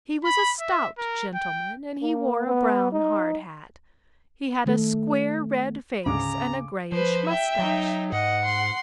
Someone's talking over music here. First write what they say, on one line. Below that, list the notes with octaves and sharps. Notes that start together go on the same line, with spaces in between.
He was a stout gentleman and he wore a brown hard hat; he had a square red face and a greyish moustache.
B5
E5
A#4
G5
A#3
B3
D#4
D#3 A3 A4
D2 G#2 C#3 A#5 D6
F3 B4 C5
E5 G5
F#3 D#4
G#2 D#5 F#5
C6